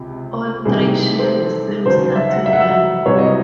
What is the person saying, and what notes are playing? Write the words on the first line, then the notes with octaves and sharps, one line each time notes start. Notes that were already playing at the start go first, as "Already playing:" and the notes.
All three share the same starting line.
Already playing: C#2 C3
C2 C3 D#3 G#4
C5
A4
D#2 C#3 F#3 C5
E5
F#5
E5
F#5
E5
C2 C3 F#3 C#5
D#5